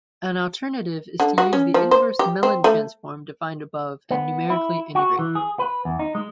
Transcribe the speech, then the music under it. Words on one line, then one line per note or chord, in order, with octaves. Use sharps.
An alternative is to use the inverse Mellin transform defined above and numerically integrate.
D3
F#4
C#4
F3
C5
G4
C4
A3
B3
E4
F#4
E3
G#4
B4
E2
D#4
G#3